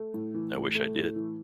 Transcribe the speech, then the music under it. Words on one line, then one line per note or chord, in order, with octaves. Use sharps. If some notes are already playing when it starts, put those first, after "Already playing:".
I wish I did.
Already playing: A3
A2
E3
A2
A3
A2
E3